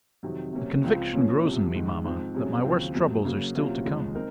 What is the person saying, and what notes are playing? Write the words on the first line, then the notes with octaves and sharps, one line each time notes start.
The conviction grows on me, mama, that my worst troubles are still to come.
F2 C3 D#3 F#3
C3 F#3 A#3 C#4
C#2 C#3 F3 C4 F4
A#2 F3 A#3 C#4
C2 C3 F3
G#2 D#3 G#3
G#2 F3 C4
C2 C3 F#3 C#4 G#4
D#2 C#3 F#3 C4 F4
F2 C3 F#3 A#3
C#3 F#3 A#3
C3 F#3 A#3 C#4 F4
D#2 C#3 F3 G#3
C4 D#4 A#4